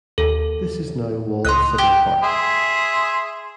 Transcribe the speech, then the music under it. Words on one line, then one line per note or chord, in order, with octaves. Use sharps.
This is now Walled City Park.
D#2 A4
C#2 D#5 C6 D#6 F#6
G4
G#4 E5 C6